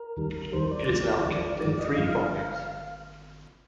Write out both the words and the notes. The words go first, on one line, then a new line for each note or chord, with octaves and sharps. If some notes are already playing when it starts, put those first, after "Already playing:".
It is now kept in three volumes.
Already playing: A#4
D#2 D#3 G3
D#2 D#3 G3 C5
D5
D#2 D3 F3 G#3 D5
D#2 D3 F3 G#3
G2 F3 G#3 D5
D#5
G2 F3 G#3 F5